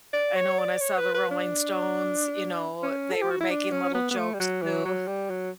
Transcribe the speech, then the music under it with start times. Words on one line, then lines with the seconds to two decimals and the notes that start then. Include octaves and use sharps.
I know when I saw the Rolling Stones, you know, they were making little jokes too.
0.13 D5
0.36 C#5
0.58 D5
0.81 C#5
0.98 B4
1.14 B4
1.31 D4
2.83 C#4
3.12 A4
3.21 G4
3.31 F#4
3.40 E4
3.50 D4
3.72 C#4
3.94 B3
4.11 B3
4.17 A3
4.34 G3
4.40 F#3
4.62 E3
4.85 F#3
5.07 G3
5.30 F#3